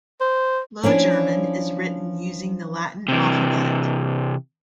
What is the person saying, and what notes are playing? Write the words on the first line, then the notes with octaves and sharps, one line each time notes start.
Low German is written using the Latin alphabet.
C5
F3 C#4 D4 E4
C3 E3